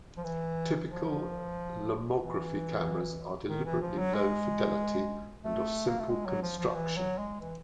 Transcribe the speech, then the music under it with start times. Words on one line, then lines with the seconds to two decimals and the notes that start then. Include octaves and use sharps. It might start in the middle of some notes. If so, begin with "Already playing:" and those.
Typical Lomography cameras are deliberately low-fidelity and of simple construction.
0.17 F3
0.24 E3
0.89 F3
2.19 E3
3.49 D#3
3.65 E3
3.82 F3
3.98 F#3
4.14 G#3
5.45 A3
5.87 A#3
5.99 A3
6.10 G#3
6.26 F#3
6.42 F3
6.58 F3
6.74 E3
6.96 F#3
7.18 G#3
7.40 E3